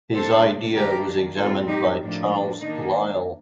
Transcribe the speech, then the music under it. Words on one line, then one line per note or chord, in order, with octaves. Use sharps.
His idea was examined by Charles Lyell.
C3 G3 A#3 D4 A4 C5
D#3 A#3 D4 G4 A#4
A2 G3 C4 F4 A4
D#4 G4
A2 F3 A#3 D4
D#3 A#3 D4 D#4